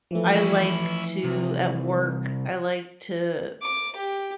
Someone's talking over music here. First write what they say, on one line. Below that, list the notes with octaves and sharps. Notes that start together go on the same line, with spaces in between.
I like to, at work, I like to
E3 F3 A3
C#4 E4
C2
D6
G4